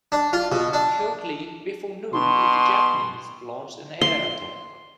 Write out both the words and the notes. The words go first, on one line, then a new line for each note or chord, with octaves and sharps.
Shortly before noon the Japanese launched an air attack.
D4
F4
B2
D4
B2 C6
C6